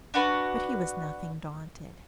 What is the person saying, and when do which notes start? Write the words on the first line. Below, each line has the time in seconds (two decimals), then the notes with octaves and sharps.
'But he was nothing daunted.
0.14 D4 F#4 B4